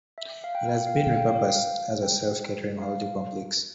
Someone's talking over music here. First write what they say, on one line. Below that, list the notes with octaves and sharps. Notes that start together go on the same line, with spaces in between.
It has been re-purposed as a self-catering holiday complex.
E5
F5
G5
F5
G5
F5
G5
F5
G5
F5
G5
F5
G5
F5